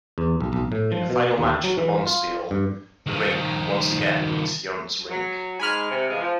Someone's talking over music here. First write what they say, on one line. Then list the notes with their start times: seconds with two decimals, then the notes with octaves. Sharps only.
In the final match of the bonspiel, the rink once again meets Yount's rink.
0.18 E2
0.41 B1
0.53 B1
0.72 A2
0.92 F3
1.10 B2
1.38 D#2
1.64 F#3
1.78 E3
2.07 F4
2.51 G2
3.06 D#3 F3
5.10 F#3
5.60 G#2 G#3 G#5 B5 F6
5.90 C3
6.09 E2 F3 G#3
6.21 F3